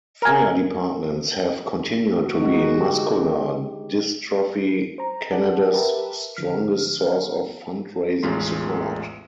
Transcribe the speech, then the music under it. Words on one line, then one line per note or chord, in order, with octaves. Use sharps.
Fire departments have continued to be Muscular Dystrophy Canada's strongest source of fund-raising support.
A#4 G#5
F#4
G#3 C4 D#4
D3 G4
C5 A#5
G#4 A4 D5 F#5 A5
G4 A#4 B4 E5 A5
D3 F3 F6
A1 E2 G#3 F4 C6 B6